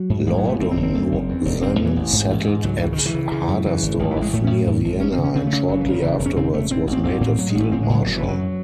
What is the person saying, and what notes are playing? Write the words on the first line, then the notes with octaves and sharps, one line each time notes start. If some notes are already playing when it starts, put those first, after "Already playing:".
Laudon then settled at Hadersdorf near Vienna, and shortly afterwards was made a field-marshal.
Already playing: F#3
G#2
A1 E3
F#3
G#2 A3
F#1 C4
C4
F#1
C4
F#2
F#1
E2
E1
E1 C4
E2
E3
A1
G#2
A1
G#2
C#2 F#3
C#3 E3
D#3
C#3
E3
C#3
C#3
F#2
C#3 E3
G#1
A1 D#3
E3
A1
G#3
A2 A3
C#4
A2
F#2
G#1
G#1 C#4
C4
C#3
C#4
C#3 C4
A3
C#3
F#1 F#3
E3
F#1
D#3
C#3 E3
E1
C#4
C#3 C4
E1 A3
A2 C4
A1
C4
A1 C4
A2 C4
A2 F#3
G#3
A1
A3
A2 C4
G#3
A2 F#3
F#1 F#3
E3
F#2
F#3